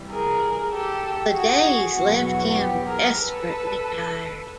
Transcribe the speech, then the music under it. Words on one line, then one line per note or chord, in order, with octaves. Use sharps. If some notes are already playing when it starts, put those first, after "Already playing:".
The days left him desperately tired.
Already playing: C3 E3 G3
G#4 A#4
G4 A4
F#4 G#4
E2 B2 F#3 B3 F#4
G4
G#4 A#4
A4 B4